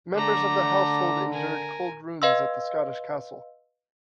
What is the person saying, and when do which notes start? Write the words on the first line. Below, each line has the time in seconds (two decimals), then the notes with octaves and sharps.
Members of the household endured cold rooms at the Scottish castle.
0.15 D3 A3 D5 A#5
1.32 A#4 G#5
2.22 B4 D#5 F5 C6 E6